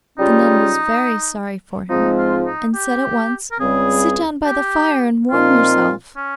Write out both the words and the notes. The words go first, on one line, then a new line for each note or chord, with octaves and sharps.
The nun was very sorry for him, and said at once: 'Sit down by the fire and warm yourself.'
C#3 G3 C#4 D#4 F4
G#2 F3 G#3 C4 D#4
F4
D#4
G4
A#4
C#2 C#3 G3 C4 G#4
G4
A#2 F3 C4 D#4 F4
C#4